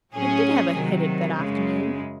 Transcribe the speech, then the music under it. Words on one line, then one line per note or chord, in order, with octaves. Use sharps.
I did have a headache that afternoon.
A2 F#3 C#4 G#4
C3 D#3 F#3
F#2 C#3 G#3